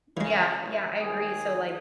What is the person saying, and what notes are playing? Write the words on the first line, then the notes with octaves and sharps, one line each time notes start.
Yeah, yeah, I agree. So, like,
C#3 E3 G#3
A1
D#2 G#4